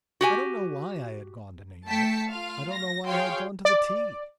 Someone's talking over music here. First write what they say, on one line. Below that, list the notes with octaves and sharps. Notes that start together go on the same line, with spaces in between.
I don't know why I had gone to New York; I don't know why I had gone to the tea.
F#4 G4 G#5
A3 G5 A5 B6 C#7
F4 F5
A#6
F#4 G#4 C#5 F5 G5 C6
D5